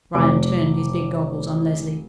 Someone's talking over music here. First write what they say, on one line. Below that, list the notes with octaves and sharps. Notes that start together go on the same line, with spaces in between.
Bryan turned his big goggles on Leslie.
F1 D6